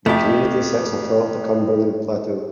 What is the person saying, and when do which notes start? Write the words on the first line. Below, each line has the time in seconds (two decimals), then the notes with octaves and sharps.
The community sits atop the Cumberland Plateau.
0.06 F2 A3 G4